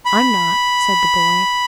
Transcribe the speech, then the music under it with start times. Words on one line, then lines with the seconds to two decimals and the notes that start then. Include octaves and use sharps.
"I'm not," said the boy.
0.05 B5